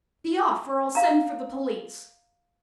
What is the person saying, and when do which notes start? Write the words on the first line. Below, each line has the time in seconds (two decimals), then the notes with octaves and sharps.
Be off, or I'll send for the police.'
0.95 F5 A#5